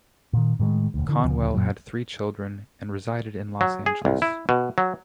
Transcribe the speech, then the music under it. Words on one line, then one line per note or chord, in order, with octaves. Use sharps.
Conwell had three children and resided in Los Angeles.
A#2 D#3
A2 D#3 F3 G#3
E1 D2
D3 E3
D2 C#3 F3
F#2 A#2 F#3
F#3
G#4
C2
E4
B2
F#3